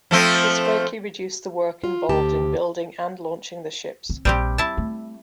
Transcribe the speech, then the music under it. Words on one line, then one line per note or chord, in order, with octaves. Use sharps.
This greatly reduced the work involved in building and launching the ships.
F3 A3 C4
F4
D2 G4 A5
C4
A#1 G3 C4 G4
E4 A5
A3